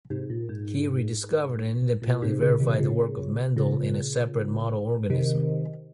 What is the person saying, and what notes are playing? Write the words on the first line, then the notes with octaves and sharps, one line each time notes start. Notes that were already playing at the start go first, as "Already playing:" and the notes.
He rediscovered and independently verified the work of Mendel in a separate model organism.
G#2 C3
A#2
G#2
A#2
G#2 C3
A#2 C#3
C3 D#3
A#2 C#3
A#2 C#3
C3 D#3